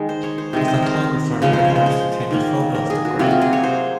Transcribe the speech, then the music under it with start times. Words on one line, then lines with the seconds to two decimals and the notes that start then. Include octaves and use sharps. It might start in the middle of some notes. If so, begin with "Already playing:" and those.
A photographer prepares to take a photo of the girl.
Already playing: D#3 G#3
0.09 C5
0.24 C#5
0.38 C5
0.53 C3 D#3 G#3
0.68 C5
0.82 A#4
1.42 C#3 F3 G#3 C#5
1.53 C5
1.65 C#5
1.76 C5
1.86 C5
2.31 D#3 A#3
2.75 A#4
2.90 G#4
3.05 F#4
3.19 C3 F#3 A#3 F4
3.31 F#4
3.41 G#4
3.53 C#5
3.64 C5